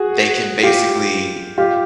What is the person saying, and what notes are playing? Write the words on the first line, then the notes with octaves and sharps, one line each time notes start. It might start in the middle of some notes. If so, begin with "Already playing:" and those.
they can basically,
Already playing: F#4 G#4
F4 G4
F4 G4